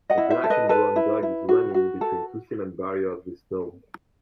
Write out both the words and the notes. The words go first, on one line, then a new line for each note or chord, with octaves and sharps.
A black and brown dog is running between two cement barriers with snow.
D#5 F#5
E4
C5 E5
A4
B4 D#5
A4 B4
E4
E4
F#4
F#4
A4